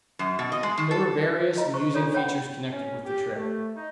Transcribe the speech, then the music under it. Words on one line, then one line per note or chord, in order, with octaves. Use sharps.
There were various amusing features connected with the trip.
F#2
B2
D#5
G#3
D#3
A4
E4 F4 D#5
C5 C#6
D4 F4 A4 C#5 D5
C#5 F#5 G5 B5
C#4
G4
A3
D#4